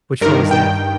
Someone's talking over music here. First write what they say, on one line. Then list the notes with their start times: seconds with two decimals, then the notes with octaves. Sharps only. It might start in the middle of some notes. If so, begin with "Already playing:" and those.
Which one was that?
0.21 G2 A#4
0.26 D#3
0.51 G5